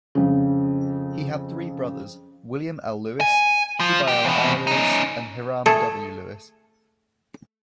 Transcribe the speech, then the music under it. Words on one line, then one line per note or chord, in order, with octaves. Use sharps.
He had three brothers, William L. Lewis, Shubael R. Lewis, and Hiram W Lewis.
F2 C#3
G#5
F3
D2 G4
E2 B2
C#4 D#4
A3 G#4 A4